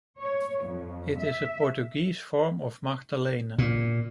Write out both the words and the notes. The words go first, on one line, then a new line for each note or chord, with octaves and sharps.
It is a Portuguese form of Magdalene.
C#5
F2
E5
A#2